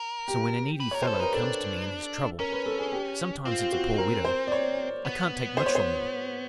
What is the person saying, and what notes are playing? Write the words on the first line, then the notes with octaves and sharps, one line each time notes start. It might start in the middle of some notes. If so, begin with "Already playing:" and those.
So when a needy fellow comes to me in his trouble--sometimes it's a poor widow--I can't take much from them.
Already playing: A#4
G4
B4
A#4 C#5
A4 C5
B4
D#4 A#4
D4 A4
C#4 A#4
B4
A4
G#4
G4
C4 F4
F4
F#4
A#4
C5
D5
C#5
B3
C5
C#5
C5